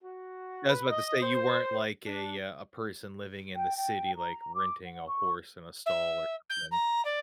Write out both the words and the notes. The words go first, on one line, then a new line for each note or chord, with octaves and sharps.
I was about to say, you weren't like a, uh, a person living in the city, like, renting a horse in a stall, or something.
F#4
B4
D#5
C5
D4
G5
G5
A#5
D6
F#5
C#6
E5
G6
A#5
D5